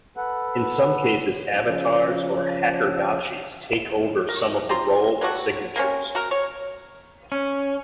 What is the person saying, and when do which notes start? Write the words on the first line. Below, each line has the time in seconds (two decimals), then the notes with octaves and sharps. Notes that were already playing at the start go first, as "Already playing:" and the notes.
In some cases avatars or hackergotchis take over some of the role of signatures.
0.17 A4 B4 F#5
1.63 C#3 F3
4.29 A#4
4.69 C4 F4 A#5 C6
5.21 F#3 G3 A3 F#4
5.76 A#3 C4 C#4
6.15 F#4 A#4
6.31 C#5
7.32 C#4